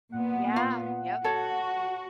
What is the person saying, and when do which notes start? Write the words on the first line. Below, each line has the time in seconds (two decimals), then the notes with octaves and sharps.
Yeah, yep.
0.12 A#2 B3 F#5
0.56 F4 F5
1.24 F#4 A4 C#5